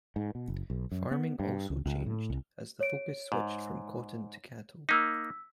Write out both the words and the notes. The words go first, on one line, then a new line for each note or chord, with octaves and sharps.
Farming also changed as the focus switched from cotton to cattle.
G#2
B2
F#1
B1
F#2
B3
G2
C#2
C#2
A2
C2
C#5 D7
G#2
A#3 D#4 E6 B6